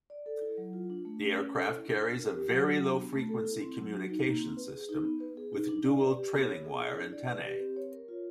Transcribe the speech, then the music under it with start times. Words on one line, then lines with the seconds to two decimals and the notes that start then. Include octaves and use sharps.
The aircraft carries a very low frequency communication system with dual trailing wire antennae.
0.10 D5
0.26 A4
0.42 E4
0.58 F#3
0.73 F4
0.90 D4
1.05 A3
1.22 C#4
1.37 C#4
1.54 A4
1.69 E4
1.86 D4
2.01 D4
2.17 A#4
2.34 G4
2.49 F#3
2.66 F#4
2.81 D4
2.97 B3
3.13 A3
3.29 A4
3.45 E4
3.61 C4
3.77 F#3
3.93 F#4
4.09 D#4
4.25 A#3
4.41 C4
4.57 B4
4.73 G#4
4.89 D#4
5.05 B3
5.20 B4
5.37 G#4
5.53 D#4
5.69 D4
5.85 D5
6.01 B4
6.17 G4
6.33 B3
6.49 C#5
6.65 G#4
6.80 E4
6.97 D4
7.13 D5
7.29 B4
7.45 G4
7.60 C4
7.77 C#5
7.92 A#4
8.08 F4